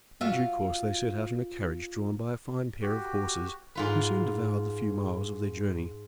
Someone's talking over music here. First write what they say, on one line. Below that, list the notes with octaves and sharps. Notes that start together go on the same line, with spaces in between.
In due course, they set out in a carriage drawn by a fine pair of horses, who soon devoured the few miles of their journey.
F4 F#4 E5
F#4 G4
G#2 F4 B4